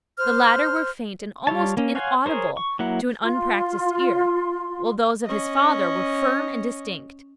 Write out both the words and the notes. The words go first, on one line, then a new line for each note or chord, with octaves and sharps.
The latter were faint, and almost inaudible to an unpractised ear, while those of his father were firm and distinct.
C5 F6
G3 F4 C#5 A5
A#3 C#4
C#5 F5 F#5 G#5 C6
G#4 A#4 C5 C#5
C#6
F#3 A#3 E4 F#5
F4 C6
C#4 D#5